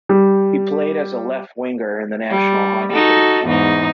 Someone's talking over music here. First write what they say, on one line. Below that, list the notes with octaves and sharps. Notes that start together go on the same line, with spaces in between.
He played as a left winger in the National Hockey League.
G3
G3
D#4 F#4 A4
E2 G#2 D#4